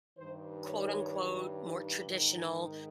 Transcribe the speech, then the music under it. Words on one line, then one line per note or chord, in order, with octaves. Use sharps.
quote, unquote, more traditional,
G2 D#3 C5
C#5
G#2
D#3